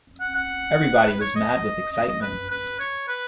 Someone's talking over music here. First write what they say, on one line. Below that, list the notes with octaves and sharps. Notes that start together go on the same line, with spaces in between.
Everybody was mad with excitement.
F#5
F#5
B4
C#5
D#5
D#5
D#5
B4
B4
C#5
B4